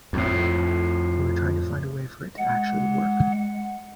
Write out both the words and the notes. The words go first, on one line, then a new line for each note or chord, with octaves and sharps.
We were trying to find a way for it to actually work...
F2 A2
G#3 F#5